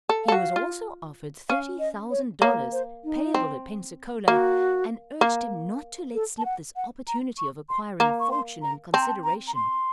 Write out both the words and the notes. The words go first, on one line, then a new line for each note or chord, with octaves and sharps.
He was also offered thirty thousand dollars, payable at Pensacola, and urged him not to let slip this opportunity of acquiring fortune and consideration.
A4
A4 F5
F#4
F4
C#4 F5
D#5
C#5
A#3 C#5
C5
D#4
C4
A#3 F#4
A#3
A4
A5
F#5
F#5
A#5
C#6
C6
A#3 A#5
C#6
C6
A#5
C4 A5
A#5
A5
A#5
A#5
C6